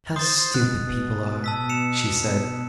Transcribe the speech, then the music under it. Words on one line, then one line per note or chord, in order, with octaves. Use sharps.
"How stupid people are," she said.
C5 D#6 A6
B2 F#6
A5 E6 B6
C#7 E7 F7